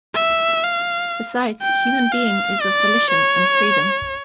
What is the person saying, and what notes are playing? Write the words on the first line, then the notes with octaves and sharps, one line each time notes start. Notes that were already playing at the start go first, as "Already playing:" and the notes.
Besides human being is of volition and freedom.
E5
F5
G5
F5
D5
C#5